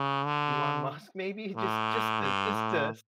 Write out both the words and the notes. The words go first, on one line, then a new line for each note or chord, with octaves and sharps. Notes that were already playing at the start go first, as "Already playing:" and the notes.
Elon Musk, maybe, just just to just to,
Already playing: C#3
D3
A2
G2
A2